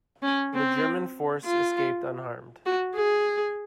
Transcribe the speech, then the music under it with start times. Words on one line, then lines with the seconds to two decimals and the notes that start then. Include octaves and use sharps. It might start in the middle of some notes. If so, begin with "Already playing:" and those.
The German force escaped unharmed.
0.23 C#4
0.54 C4
1.44 F4
2.66 F#4
2.95 G#4